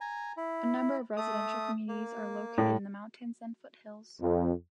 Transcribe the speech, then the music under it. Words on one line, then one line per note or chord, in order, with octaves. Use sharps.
A number of residential communities are located in the mountains and foothills.
G#5 A#5
E4
A3 D#6
A#3
A2
F2